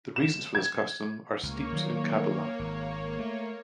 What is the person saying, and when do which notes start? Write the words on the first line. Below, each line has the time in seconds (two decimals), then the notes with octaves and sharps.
The reasons for this custom are steeped in Kabbalah.
0.16 E7
0.55 G#6
1.43 C#2 A#3 C#5
1.72 D#3 F#3 G3
2.59 G#1
3.19 A3